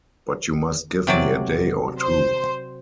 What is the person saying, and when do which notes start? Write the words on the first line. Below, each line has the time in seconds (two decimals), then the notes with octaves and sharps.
But you must give me a day or two.
1.07 C3 F#3 D5
1.99 C5